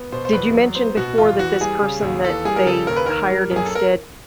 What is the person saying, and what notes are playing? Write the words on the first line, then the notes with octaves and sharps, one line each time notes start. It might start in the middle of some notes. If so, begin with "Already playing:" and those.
did you mention before that this person that they hired instead,
Already playing: B3
B2 C5
C5
E2 B4
F#3
B3 C5
B2 F#4
E2 F4
E3 F#4
G3 G#4
C#3
D#2
E3 A4
G3 G#4
A#4
C#3 A4
D#2 A#4
B4
D#3 A#4
G3
F#2 G#4
A4
A#4